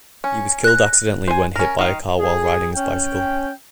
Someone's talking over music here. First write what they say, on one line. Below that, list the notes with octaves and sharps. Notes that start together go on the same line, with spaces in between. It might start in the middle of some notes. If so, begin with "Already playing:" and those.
He was killed accidentally when hit by a car while riding his bicycle.
C#4
F#6 A#6
C5 G#5
C#4 A#4
D#3 F5
G#4
C#4 G5